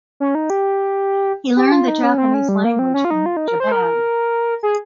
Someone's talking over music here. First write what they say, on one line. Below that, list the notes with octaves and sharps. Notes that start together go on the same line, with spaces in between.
He learned the Japanese language in Japan.
C#4
D#4
G4
G4
F4
D#4
C#4
C4
C#4
G3
A#3
C4
C#4
F4
D#4
F4
D#4
A#4
C5
A#4
G#4